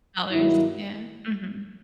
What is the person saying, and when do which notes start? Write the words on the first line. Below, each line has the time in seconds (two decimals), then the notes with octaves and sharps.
dollars, yeah, mhm.
0.30 G2 D#3 F#3 A#3 E4